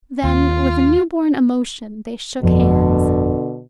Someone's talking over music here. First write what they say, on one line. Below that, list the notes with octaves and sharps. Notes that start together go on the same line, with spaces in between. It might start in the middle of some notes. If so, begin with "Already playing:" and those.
Then, with a newborn emotion, they shook hands.
D#2 F4
G1 F2 B2 D3 F3